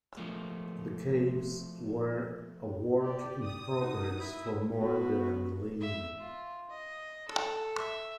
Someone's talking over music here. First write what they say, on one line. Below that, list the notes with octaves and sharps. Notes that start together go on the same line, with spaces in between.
The caves were a work in progress for more than a millennium.
F3 A3 A#3
G4 D5
D#6
D#4 F#4
E4 E5
B3 F#4
E5
F4
D#5
A4
E5